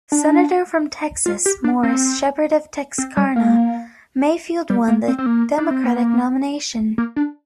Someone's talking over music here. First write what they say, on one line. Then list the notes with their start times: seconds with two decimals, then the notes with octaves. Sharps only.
Senator from Texas, Morris Sheppard of Texarkana, Mayfield won the Democratic nomination.
0.12 D4
1.26 F4
1.46 G4
1.64 D4
1.83 C4
2.98 C4
3.17 G3
3.36 A#3
4.70 G3
4.88 A#3
5.08 C4
5.18 C4
5.26 A#3
5.58 D4
5.71 C4
5.84 A#3
6.98 A#3
7.16 D4